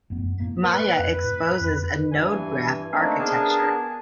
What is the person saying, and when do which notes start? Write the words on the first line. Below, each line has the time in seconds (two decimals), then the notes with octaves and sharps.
Maya exposes a node graph architecture.
0.10 F1 F#2 B3
0.40 A2 A#3
0.63 B4
0.99 F2
1.24 A2
1.61 F2
2.11 G2 E3 G#5
2.92 A3 A#3 C4 D4 D#4
3.19 B3 D4 G#4 A#4 G#5 A5